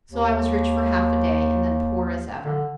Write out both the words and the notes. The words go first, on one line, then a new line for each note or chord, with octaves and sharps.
"So I was rich for half a day, and then poor as ever."
D#2
D3